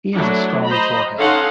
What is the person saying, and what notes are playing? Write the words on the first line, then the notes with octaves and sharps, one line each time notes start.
He has a strong forehead.
F#3 A3 D4 E4
C5 D#5 A#5 B5
C#4 D#4 A4 F5 F#5 C6